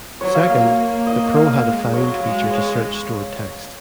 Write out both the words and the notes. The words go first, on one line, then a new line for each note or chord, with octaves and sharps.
Second, the Pro had a "find" feature to search stored text.
F#3 C#5
F5
A#3 F5
A#3
D#5
F5
G#3
F#3 C#5
G#3
C#5